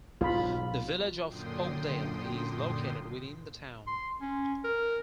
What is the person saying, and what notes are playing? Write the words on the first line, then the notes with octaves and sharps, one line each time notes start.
The Village of Oakdale is located within the town.
B1 G#2 F4 B5
F#2 A#2 D3 G5 C6 D#6
C6
C#4
A#4